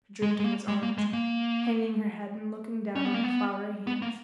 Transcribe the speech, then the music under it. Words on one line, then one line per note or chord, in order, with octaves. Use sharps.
She drooped in his arms, hanging her head and looking down on her floury hands.
G#3
G#3
A#3
G#3
A#3
G#3
A#3
C#4
B3
A#3
B3
B3
A#3